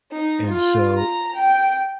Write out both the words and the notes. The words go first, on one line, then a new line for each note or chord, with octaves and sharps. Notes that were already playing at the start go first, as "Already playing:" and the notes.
and so
D#4
F4
A#5
G5